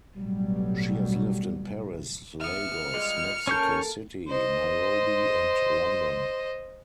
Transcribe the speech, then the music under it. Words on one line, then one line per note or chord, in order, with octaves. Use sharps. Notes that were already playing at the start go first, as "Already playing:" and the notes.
She has lived in Paris, Lagos, Mexico City, Nairobi and London.
A1 B2 F#3 G3
B3 E5 F6 C#7
G3 G#3 F4
A#3 C#4 A4 A#4 C#5 G6
C5 D#5